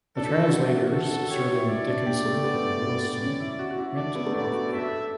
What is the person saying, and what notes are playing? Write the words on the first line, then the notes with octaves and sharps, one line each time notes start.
The translators serving Dickinson and Williston went off-air.
D4 A4
F#4
E4
F#4 A4
F#4
G4 C#5
E4
E4 D5
D4
G4
A3
B3
B3
C#4
E4
F#4
F#4
E4
D4 D5
B3
A3
B3 D5
F#4
A4 E5